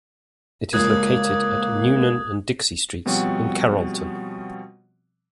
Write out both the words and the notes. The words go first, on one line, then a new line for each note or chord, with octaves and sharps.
It is located at Newnan and Dixie Streets in Carrollton.
C#2 A#2 F3 A#3 D#6 F#6 G#6
B2 F3 G3 C4 C#4 F#4